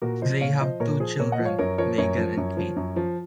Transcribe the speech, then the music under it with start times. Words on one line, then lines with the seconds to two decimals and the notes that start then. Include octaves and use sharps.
They have two children, Meghan and Kate.
0.02 A#2 F#4 A#4
0.21 F3 C5 D#5
0.41 A#2 C#5 F5
0.60 F3 C5 D#5
0.80 A#2 A#4 C#5
1.00 F3 G#4 C5
1.19 A#2 A#4 C#5
1.32 D#5 F#5
1.39 F3
1.45 C#5 F5
1.59 F#2 A#4 C#5
1.78 F3 A#4 C#5
1.98 F#2 A#4 C#5
2.18 F3
2.37 F#2
2.57 F3
2.76 F#2
2.96 F3